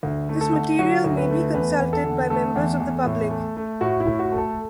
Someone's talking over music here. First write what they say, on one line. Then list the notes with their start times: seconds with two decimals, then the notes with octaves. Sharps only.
This material may be consulted by members of the public.
0.03 D2
0.29 A3
0.41 A4
0.53 D3
0.79 F#3 F#4
1.04 D2
1.17 B4
1.30 A3
1.54 E2 B4
1.80 E2
1.93 A4
2.04 D3
2.30 A3 A4
2.55 E2
2.80 E2
3.05 A2
3.31 A3
3.57 A3
3.81 A2 F#4
4.00 E4
4.07 A2
4.19 F#4
4.32 A3
4.38 A4